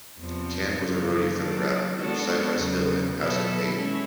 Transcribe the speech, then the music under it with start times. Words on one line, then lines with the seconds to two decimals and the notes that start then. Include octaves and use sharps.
Caan was a roadie for the rap groups Cypress Hill and House of Pain.
0.17 E2 C3 F3
0.77 F#2 C#3 F3 A#3
1.36 D#3 F#3 A#3 D4
1.96 G#3 B3 D4 F#4 A4
2.55 E2 C#3 F#3
3.15 B2 F#3 B3 E4 A4
3.74 G#3 C#4 E4